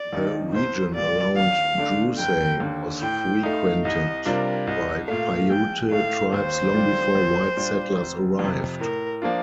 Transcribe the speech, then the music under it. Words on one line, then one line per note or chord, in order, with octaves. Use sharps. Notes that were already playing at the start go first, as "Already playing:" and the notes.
The region around Drewsey was frequented by Paiute tribes long before white settlers arrived.
Already playing: D5
D#2 D#3 A#3 D#4
C2 C5
A#2 G3 D5
D#2 F5
D3 A3 D4
F1 G5
D#2 D3
A2 G5
A3 D#4 F5
C2 D#5
C3 G3 D4 F4 A#4
C2 D#5
A#2 A3 F5
A#1 G5
A2 A3 F5
D#2 C5
D3 G3 D4 F4
A#1
A#2 G3 D4 F4
F1
F2 C3
A2 A#4
F3 A#3 D4 F4